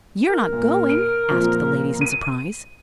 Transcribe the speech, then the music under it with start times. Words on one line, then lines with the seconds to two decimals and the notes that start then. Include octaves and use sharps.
"You are not going?" asked the ladies in surprise.
0.29 A#4
0.52 A#2
0.89 D7
1.30 A#2 F3 C4
2.01 D#7